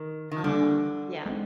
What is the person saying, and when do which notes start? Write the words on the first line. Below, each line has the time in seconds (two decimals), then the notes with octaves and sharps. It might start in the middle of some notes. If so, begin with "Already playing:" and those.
Um, yeah
Already playing: D#3
0.31 D#3
0.43 D3 G3 A#3 D4
1.26 G#3 C4 D#4